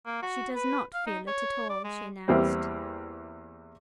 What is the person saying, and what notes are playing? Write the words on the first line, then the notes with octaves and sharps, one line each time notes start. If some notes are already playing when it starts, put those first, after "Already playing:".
"She does not feel it at all!" she announced.
A#3
F#4
B4
F5
D#4
C#5
D5
G#3
E2 E3 G3 A#3 C4